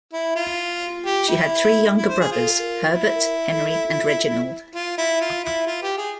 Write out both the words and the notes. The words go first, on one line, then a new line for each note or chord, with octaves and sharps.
She had three younger brothers, Herbert, Henry and Reginald.
E4
F4
G4
E4
E4
C5
G#4
F4
E4
F4
E4
F4
E4
F4
G4
G#4